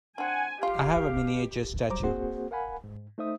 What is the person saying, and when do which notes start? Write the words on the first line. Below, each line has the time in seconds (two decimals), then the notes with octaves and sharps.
I have a miniature statue.
0.18 C4 D4 F#5 G#5
0.62 G#3 F4 G4 F5
1.90 F#3 G3 C5 A#5 D6
2.03 A#3 C4 F#4 G#4 C5 F#5
2.51 A#4 F5 F#5 G#5 B5
2.84 G#2
3.18 A3 D#4 C5 E5 D#6